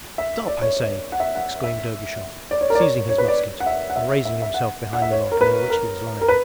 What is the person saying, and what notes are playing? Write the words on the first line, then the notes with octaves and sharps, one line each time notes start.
'Stop, I say!' exclaimed Ergushov, seizing his musket and raising himself behind the log near which he was lying.
E5
D5
C#5
C#5
F#5
E5
F#5
E5
D5
C#5
A#4
D5
C#5
C#5
B4
D5
F#5
E5
F#5
E5
E5
E5
F#5
F#5
E5
C#5
A#4
B4
A#4
A#4
B4